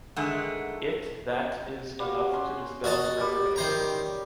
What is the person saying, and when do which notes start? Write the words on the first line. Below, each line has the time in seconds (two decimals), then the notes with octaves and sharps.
It that is enough to dispel his reservations?
0.16 D3 D#3 G#3 A3 F#5
1.99 G3 F#4 F5
2.29 C#4 C6
2.84 F#4 D#5 A5
3.21 G3 G4
3.56 D#3 C5 A#5